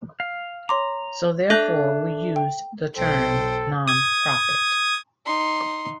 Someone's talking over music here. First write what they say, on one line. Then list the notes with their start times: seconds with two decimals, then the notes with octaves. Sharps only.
So, therefore we used the term non-profit.
0.20 F5
0.69 C#5 A#5 C6 D6
1.50 D4 A4 E5 F#6 G6 A#6
2.36 G5
2.96 B1 A4 C5 G5
3.88 D#6 G#6
5.26 D#4 C6